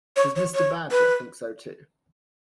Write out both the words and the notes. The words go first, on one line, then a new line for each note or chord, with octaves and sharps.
Does Mr. Badger think so too?
C#5
C#5
C#5
B4